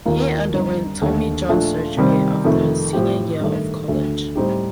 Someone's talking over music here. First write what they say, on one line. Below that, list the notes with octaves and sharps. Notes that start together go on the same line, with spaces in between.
He underwent Tommy John Surgery after his senior year of college.
D#2 D#3 A#3 F4
G2 D3 G3 C4 D#4
D#2 D3 A3
A#2 F3 A3 D4 F4
C3 D#3 G3 C4
F2 C3 D#3 A3
A2 F3 C4 G4
G2 D#3 A3
D2 D3 A3
A2 G3 C4 D#4 G4